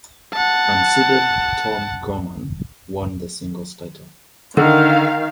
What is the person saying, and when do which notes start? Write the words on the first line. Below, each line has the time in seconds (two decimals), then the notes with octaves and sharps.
Unseeded Tom Gorman won the singles title.
0.33 F#5 A5
4.57 D3 D#3 F5